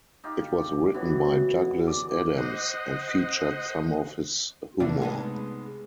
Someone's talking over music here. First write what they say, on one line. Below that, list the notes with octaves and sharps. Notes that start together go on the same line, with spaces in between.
It was written by Douglas Adams, and featured some of his humour.
D#4 F4 G4
E3 F#3 B3
D5 D6
C5 D#5 F#5
C2 A3 D4
G#3 B3 D#4